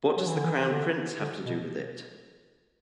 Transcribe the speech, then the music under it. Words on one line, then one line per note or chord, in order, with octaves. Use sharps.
What does the Crown Prince have to do with it?
F#3
E3
D3
E3
D3
D3
B2